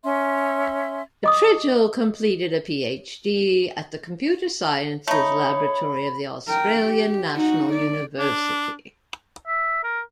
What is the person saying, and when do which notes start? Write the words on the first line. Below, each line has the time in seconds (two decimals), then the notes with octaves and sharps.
Tridgell completed a PhD at the Computer Sciences Laboratory of the Australian National University.
0.04 C#4 E5 C6
1.24 D#5 D6 D#6
5.07 A3 D#4 C#5 B5
6.48 A#4 G5
6.84 G4
7.35 D#4 F#4
7.73 D5
8.19 D4
9.47 E5
9.84 A#4